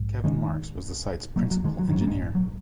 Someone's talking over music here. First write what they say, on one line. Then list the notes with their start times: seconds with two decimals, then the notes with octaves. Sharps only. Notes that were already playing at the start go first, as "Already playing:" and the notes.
Kevin Marks was the site's Principal Engineer.
Already playing: A#1 G#2
0.24 D#3 G#3
1.36 F#3 A#3
1.51 F#3
1.64 D#3 G#3
1.79 F#3
1.89 D#3
1.93 A#1 G#2 F#3
2.01 A#3
2.07 G#3 C#4
2.35 F#3